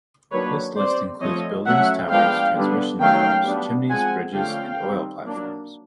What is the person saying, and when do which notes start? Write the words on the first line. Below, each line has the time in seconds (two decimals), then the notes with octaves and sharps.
This list includes buildings, towers, transmission towers, chimneys, bridges and oil platforms.
0.32 D#3 F#3 A#3 D4 B4 C#5
0.77 G3 C4 C5 D5
1.21 F3 A3 C4 C#5 D#5
1.66 F#3 A3 C#4 E5 F#5
2.11 F3 G#3 B3 D4 F5 G5
2.56 D3 G3 B3 D4
3.00 D#3 F#3 A3 C#4 F5 G5
3.44 G3 B3 D4
3.90 F3 G#3 C4 F#5 G#5
4.35 D3 F3 A3 C#4 F5 G5
4.79 D#3 G3 C4
5.24 F#3 A#3 D4